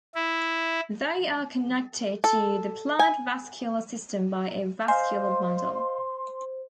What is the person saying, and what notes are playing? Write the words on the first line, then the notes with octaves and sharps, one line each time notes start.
They are connected to the plant vascular system by a vascular bundle.
E4
A4
G#5
C5 D#5 F5 G#5 C6